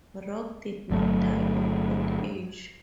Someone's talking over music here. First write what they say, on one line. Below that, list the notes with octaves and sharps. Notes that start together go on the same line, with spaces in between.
Rock did not die of old age.
G1 F#3 A3